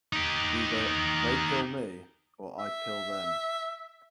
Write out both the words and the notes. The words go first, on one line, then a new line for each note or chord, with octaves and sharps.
Either they’d kill me or I’d kill them.
D#4 G4
E5